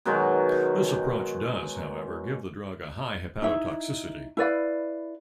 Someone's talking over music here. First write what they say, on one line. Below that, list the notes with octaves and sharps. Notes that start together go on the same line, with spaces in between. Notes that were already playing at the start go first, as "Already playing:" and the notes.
This approach does, however, give the drug a high hepatotoxicity.
B2 D#3 F#3 G#3
D#4 E4 E5
E4 B4 D5 F5